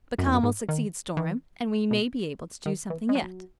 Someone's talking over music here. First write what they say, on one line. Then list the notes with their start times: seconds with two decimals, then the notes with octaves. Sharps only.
But calm will succeed storm, and we may be able to do something yet.
0.18 F#2
0.26 E2
0.34 F#2
0.43 G#2
0.69 D#3
1.17 E3
1.91 B2
2.66 D#3
2.90 E3
3.09 G#3
3.15 F#3